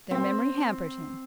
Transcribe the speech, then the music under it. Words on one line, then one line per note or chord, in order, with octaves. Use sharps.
Their memory hampered him.
C4